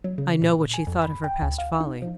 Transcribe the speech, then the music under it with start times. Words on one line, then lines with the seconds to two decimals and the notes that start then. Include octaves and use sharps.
I know what she thought of her past folly.
0.04 F#3
0.18 C#3
0.42 A#2
0.74 G#5
0.87 F2
1.02 B5
1.24 G5
1.42 D2
1.58 F5
1.80 D#4
2.02 F3